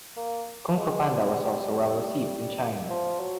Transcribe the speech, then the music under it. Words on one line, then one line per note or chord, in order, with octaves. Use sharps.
"Kung Fu Panda" was also well received in China.
A#3
G#3
G3
F3
F#3